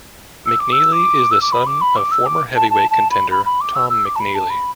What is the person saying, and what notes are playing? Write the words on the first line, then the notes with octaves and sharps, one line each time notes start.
McNeeley is the son of former heavyweight contender Tom McNeeley.
E6
D6
E6
D6
E6
D6
B5
D6
B5
D6
E6
D6
A5
A5
A5
B5
B5
B5
D6
E6
E6
D6
A5
B5
A5
B5